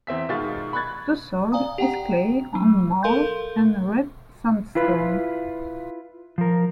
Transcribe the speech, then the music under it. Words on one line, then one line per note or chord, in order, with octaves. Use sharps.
The soil is clay on marl and red sandstone.
E2 C4 E5 B6
B2 D#3 G#3 F4 A6
B5 C#6 F#6 G#6 A6
D5 F5 G#5 A#5 D#6
G4 F#5 G5 A#5
F#3
A4 A#4 F5 C6 G6
E4 F4 B4
F3 A#4